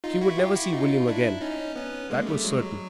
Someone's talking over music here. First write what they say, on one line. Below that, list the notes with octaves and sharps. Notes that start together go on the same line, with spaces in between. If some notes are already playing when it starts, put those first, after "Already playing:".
She would never see William again--that was certain.
D#4 F4
E4 F#4
F4 G4
E4 F#4
D#4 F4
D4 E4
C#4 D#4
B3 C#4
G#3 A#3
G3 A3
F#3 G#3
F#3